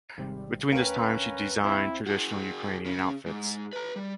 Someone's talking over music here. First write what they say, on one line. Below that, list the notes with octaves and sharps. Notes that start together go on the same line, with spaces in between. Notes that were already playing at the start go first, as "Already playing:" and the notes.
Between this time she designed traditional Ukrainian outfits.
G#1 C3 G3
D2 C#4 A#4 B4 F5 G5
C4 E4
F#4 G#4
C#3 C#4
G#2
B4 A#5
G3